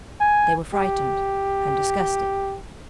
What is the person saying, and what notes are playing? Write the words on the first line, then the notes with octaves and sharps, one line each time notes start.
They were frightened and disgusted.
G#5
G4